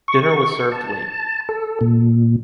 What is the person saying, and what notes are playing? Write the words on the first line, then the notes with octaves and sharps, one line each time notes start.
Dinner was served late.
C#6
A5
A4
A#2